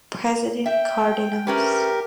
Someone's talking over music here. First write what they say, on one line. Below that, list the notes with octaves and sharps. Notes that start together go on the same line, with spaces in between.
President Cárdenas.
E5 G5
A3 C#4 G4 A#4 B4